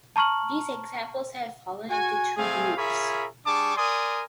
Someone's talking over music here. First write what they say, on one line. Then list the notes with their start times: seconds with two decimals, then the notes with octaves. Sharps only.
These examples have fallen into two groups.
0.16 A5 A#5 C#6 F6 F#7
1.90 F#4 G#5
2.37 G3 A3 C4 G#4 F5 G#5
2.77 F4 G#4 A#4 C#5 E5 B5
3.46 G3 D4 G#4 A5 C#6 D6
3.77 A#4 D5 G#5 C6 D#6